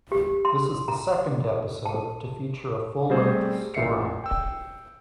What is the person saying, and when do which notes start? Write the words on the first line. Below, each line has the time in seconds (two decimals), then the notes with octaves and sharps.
This is the second episode to feature a full length story.
0.12 G4
0.45 C6
0.88 A#5
1.85 A5
3.10 G3 A3 C4 G#4 C5
3.74 A1 A#2 E5 C7 C#7
4.24 G5 E6